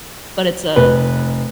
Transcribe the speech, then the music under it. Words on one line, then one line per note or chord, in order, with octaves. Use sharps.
But it's a
F1 B4